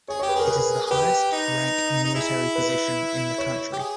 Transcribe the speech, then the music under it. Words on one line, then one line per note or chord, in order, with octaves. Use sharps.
It is the highest rank military position in the country.
G#4 C#5
C#5
G4
B4
G#4 A#4
B4
G#4
G4 B4
D#4
D#4
E4 G#4
B4
C#5
G4
G#4